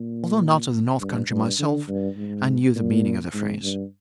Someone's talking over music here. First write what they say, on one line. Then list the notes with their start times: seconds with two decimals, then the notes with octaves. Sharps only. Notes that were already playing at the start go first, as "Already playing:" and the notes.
Although not of the north country myself, I knew the meaning of the phrase.
Already playing: A#2
1.00 G2
1.30 G2
1.59 D3
1.88 G2
2.17 G#2
2.75 A#2
3.34 G#2
3.63 G2